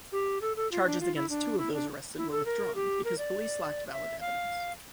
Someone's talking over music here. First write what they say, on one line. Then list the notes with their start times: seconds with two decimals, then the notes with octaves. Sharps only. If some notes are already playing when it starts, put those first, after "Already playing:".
Charges against two of those arrested were withdrawn because police lacked valid evidence.
0.12 G4
0.42 A4
0.57 A4
0.72 F4
0.85 D4
1.01 F4
1.15 E4
1.30 D4
1.58 E4
1.73 D4
2.17 E4
2.31 A4
2.46 A#4
2.75 G4
3.05 A#4
3.18 D5
3.92 E5
4.20 F5